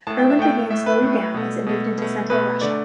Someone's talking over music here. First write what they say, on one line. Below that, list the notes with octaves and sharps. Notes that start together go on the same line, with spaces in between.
Erwin began slowing down as it moved into Central Russia.
A2 A3 A5
G5
E5
A2 A3 G5
A2 A3 E5
B4
A2 A3
B2 A3
B2 A3
B2 A3
B2 A3 B4
D3 A3 D5